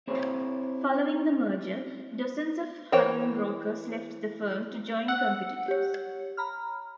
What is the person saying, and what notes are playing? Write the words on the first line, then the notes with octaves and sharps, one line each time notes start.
Following the merger, dozens of Hutton brokers left the firm to join competitors.
C4 E4 G#4 C5 C#5
E3 A#4 C5 C#5 G5
F#5 E6
G4 C#5
A#5 B5 F6